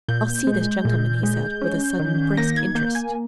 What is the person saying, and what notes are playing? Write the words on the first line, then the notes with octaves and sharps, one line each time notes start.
"I'll see this gentleman," he said, with a sudden brisk interest.
A#2 G6
G#3
A#2
G#3
C#4
D#3
A#3 A#6
G#6
A#3 G6
G#5